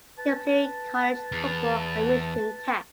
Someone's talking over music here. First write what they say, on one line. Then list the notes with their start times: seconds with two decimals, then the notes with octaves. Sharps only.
He played college football at Michigan Tech.
0.18 B4 A5
1.32 E2